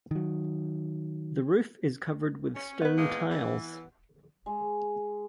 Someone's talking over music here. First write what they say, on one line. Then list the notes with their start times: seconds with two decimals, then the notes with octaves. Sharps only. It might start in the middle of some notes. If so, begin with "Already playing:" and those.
The roof is covered with stone tiles.
0.11 D#3 F#3
2.54 C#4
2.82 B3 B4
2.96 A2 G#3 A#3
3.30 E3
4.46 G#3